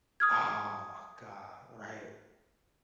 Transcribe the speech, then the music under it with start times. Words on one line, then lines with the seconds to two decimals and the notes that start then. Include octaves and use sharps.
Oh, my god, right.
0.20 D#6 F6 G#6